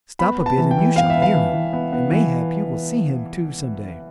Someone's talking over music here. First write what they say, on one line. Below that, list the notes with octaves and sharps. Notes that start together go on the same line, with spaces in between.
"Stop a bit and you shall hear him, and mayhap you will see him too some day."
B3 B5
B3
A5
E3
G5
E3
B3 F5
E5
B3
F5
E3
E3
B3
B3
E3